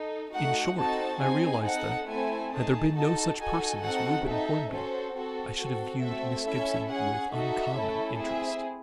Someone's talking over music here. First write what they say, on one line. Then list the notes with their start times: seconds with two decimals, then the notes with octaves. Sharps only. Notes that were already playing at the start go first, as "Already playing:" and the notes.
In short, I realised that, had there been no such person as Reuben Hornby, I should have viewed Miss Gibson with uncommon interest.
Already playing: D#4 A4
0.33 A3 D#4 F#4 F#5
0.77 C4 D#4 F#4 A4 A5
1.20 C4 D#4 G#4 G#5
1.64 D#4 A4 F#5
2.08 A3 C4 E4 A4 G#5
2.51 A3 D#4 G#4 A5
2.96 D#4 F#4 A4 A5
3.39 D#4 F#4 A4 G#5
3.83 C4 D#4 F#4 A4 F#5
4.27 D#4 A4 E5
4.70 C#4 F#4 A4 C5
5.14 C4 F#4 A4
5.58 C4 F#4 A4
6.01 A3 C4 F#4 A4 E5
6.45 C#4 E4 A4 E5
6.89 C#4 G#4 F#5
7.32 D#4 F#4 A4 E5
7.76 A3 C#4 E4 A4
8.20 C4 E4 G#4 E5